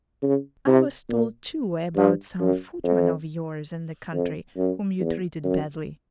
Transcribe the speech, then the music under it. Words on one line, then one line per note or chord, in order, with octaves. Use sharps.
"I was told too about some footman of yours in the country whom you treated badly."
C#3
C3
A#2
G2
F#2
F2
F2
F#2
E2
F#2